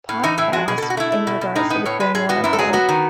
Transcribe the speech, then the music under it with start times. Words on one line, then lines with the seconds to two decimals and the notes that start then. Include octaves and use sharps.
podcasts in regards to the paranormal
0.09 A2
0.23 E3 D#4
0.38 A2 E4
0.53 G#3 F#4
0.68 B2 G#4
0.78 A4
0.82 B2
0.90 F#4
0.97 A3 E4
1.12 A3
1.27 B2
1.41 B2
1.55 A2 D#4
1.70 B3 D#4
1.85 A2 C#5
2.00 G#3 B4
2.15 A2 G#4
2.29 B3 F#4
2.44 F#2 E4
2.53 A4
2.59 F#3 G#4
2.73 B3 F#4
2.89 D#3